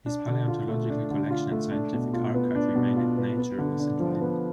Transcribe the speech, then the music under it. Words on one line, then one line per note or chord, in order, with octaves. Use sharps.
His paleontological collection and scientific archive remain at Naturalis in Leiden.
D4
D3
F4
A3
D4
D3
F4
A3
D4
B2
F4
B3
D4
B2
F4
B3
B3
D3
D4
F3
B3